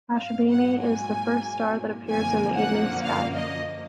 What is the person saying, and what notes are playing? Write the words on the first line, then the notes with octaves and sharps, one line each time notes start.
Ashvini is the first star that appears in the evening sky.
G#2 F#3 A#3 F5
F#5
G#5
F#2 D3 F3 A#3 G#5
F#5
F5
D#5